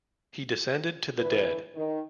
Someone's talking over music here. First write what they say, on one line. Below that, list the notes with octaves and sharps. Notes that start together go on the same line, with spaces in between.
He descended to the dead.
A#2 D3 E3 B4
D#3